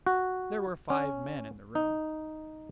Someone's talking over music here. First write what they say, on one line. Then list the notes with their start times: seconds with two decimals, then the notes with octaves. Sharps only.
There were five men in the room.
0.07 F#4
0.90 C#4
1.75 D#4